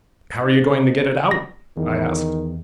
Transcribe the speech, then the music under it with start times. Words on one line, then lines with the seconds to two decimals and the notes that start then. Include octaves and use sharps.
"How are you going to get it out?" I asked.
0.42 F3 D#4
1.31 A#6
1.77 E2 D#3